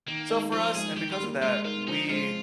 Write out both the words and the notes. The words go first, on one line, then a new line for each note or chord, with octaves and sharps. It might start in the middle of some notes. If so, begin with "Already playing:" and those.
So for us, and because of that, we
D#3 A#3
G#3 D#4
F3 F4
G#3 D#4 G#4
D#3 G4
F4
G3 A#3
G#3 F4
D#4 F4 A#4
F3 D#4
G#3 C4 F4